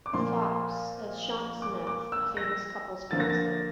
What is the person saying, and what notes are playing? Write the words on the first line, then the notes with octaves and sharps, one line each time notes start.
Fox as Shante Smith, a famous couple's counsellor.
D6
A#2 F3 A#3 C6
D6
D6
E6
A#6
D3 F3 A#3 A6
A#6
A6